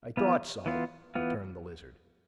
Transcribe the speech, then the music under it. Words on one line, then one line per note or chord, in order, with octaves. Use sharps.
"I thought so," returned the Lizard.
E3 B3 F4
E3 B3 F4
E3 B3 F4